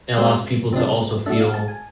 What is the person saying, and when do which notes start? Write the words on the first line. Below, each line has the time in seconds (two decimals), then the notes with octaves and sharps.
it allows people to also feel
0.17 B2 G#3 C4 E5
0.73 C3 F3 G#3 D4
1.26 B2 A3 D4 E5
1.40 F5
1.54 A5
1.68 G#5